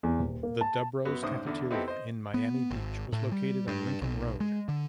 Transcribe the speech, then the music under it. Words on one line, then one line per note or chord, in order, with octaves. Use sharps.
The Dubrow's Cafeteria in Miami Beach was located on Lincoln Road.
E2
D#1
A#3
A5
F#2 B3 F#4
A1 D2 G#2 C5 D#6
E2 D3
B3 C4 D#4 E4 G4 A4
C5 D#5
B3
G#1
A2
G3
G2
B1
G#3
D3